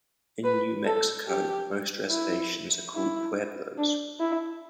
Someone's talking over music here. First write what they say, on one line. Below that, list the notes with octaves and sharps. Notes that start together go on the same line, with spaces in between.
In New Mexico, most reservations are called Pueblos.
B4
A4
G4
E4
E4
D4
E4